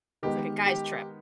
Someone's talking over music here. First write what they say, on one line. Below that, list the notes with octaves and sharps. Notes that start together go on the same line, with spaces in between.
It's like a guys' trip.
D#3 G#3 B3 D#4 G4
G4